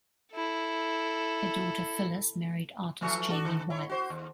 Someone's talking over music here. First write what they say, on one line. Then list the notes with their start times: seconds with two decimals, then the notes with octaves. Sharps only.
Her daughter Phyllis married artist Jamie Wyeth.
0.33 E4 A4
3.01 E3 F3 A3
3.29 D4 F#4 A4
3.45 D#3
3.70 E4 C#5
3.90 F#4 C5
4.10 D#2